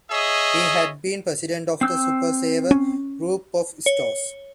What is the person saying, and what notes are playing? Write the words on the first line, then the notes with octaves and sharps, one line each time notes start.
He had been President of the Super Saver group of stores.
G#4 C#5 D#5 E5 D#6
C4 E6 G6
C#4
C#5